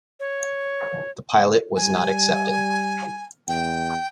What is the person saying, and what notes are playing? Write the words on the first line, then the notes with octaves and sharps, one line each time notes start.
The pilot was not accepted.
C#5
G3 G#5
E2 G5